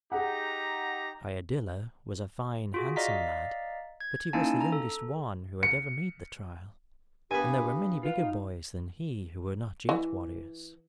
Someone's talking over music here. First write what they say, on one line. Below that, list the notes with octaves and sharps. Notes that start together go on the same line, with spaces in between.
Iadilla was a fine handsome lad, but he was the youngest one who had ever made the trial, and there were many bigger boys than he who were not yet warriors.
D#4 G4 G#4 F#5 A#5
F4 F#4 G#4
D5 D#5 F5 A#5 B6
G#6
A#3 C#4 D#4 E4 G#5 A5
A#5
A4
C#7
G2 B3 G4 G#5 B5
F4 B4 F5
D#4
E3